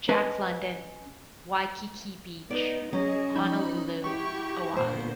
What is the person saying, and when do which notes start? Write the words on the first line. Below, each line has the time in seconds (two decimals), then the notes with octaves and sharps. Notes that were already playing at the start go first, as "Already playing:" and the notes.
Jack London, Waikiki Beach, Honolulu, Oahu.
0.09 C#4 B4 D#5 A5
2.51 B3 D#4 B4 D5
2.93 F#3 C#4 G#4 D#5
3.35 F3 D#4 B5
4.04 E4 F#4 G4 C#6
4.77 A#2 D3 A#3 B3 C5